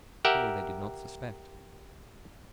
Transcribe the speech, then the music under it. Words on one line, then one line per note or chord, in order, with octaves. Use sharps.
Surely they did not suspect!
G4 A#4 E5 F#5 G5